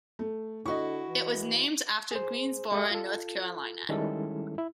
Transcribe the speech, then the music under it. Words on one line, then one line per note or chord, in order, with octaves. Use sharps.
It was named after Greensboro, North Carolina.
A3
D3 E4 F#4 D#5 C#6
E3
G#4 C5
G#3 G4 A4 E5 D#6
F4 A4
D#3 G3 G#3 C#4 E4 A4
E4